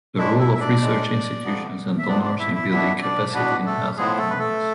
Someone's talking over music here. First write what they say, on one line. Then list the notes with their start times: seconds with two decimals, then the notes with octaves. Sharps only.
The role of research institutions and donors in building capacity in health economics.
0.18 A2 G#3 D4 E4 E5
0.39 E4 E5
0.55 E5
0.60 D4 D5
0.81 A2 G#3 D4
1.44 F2 C3 F3 B3
1.99 E5
2.07 F2 C3 F3 B3 D4 D5
2.24 D4 D5
2.39 E4 E5
2.55 E4 E5
2.70 E2 B2 B3 D4 E4 E5
3.02 D4 D5
3.34 E2 B2 B3 D4 B4
3.66 A3 A4
3.97 A2 F3 G#3 B3 G#4
4.18 A3 A4
4.30 B4
4.39 A3 A4